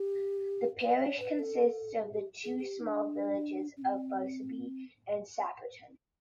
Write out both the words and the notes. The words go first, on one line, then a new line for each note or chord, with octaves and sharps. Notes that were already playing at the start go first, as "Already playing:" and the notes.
The parish consists of the two small villages of Braceby and Sapperton.
Already playing: G4
B4
C#5
B4
A4
G#4
G4
G#4
G#4
G4
D#4
D4
C#4
C4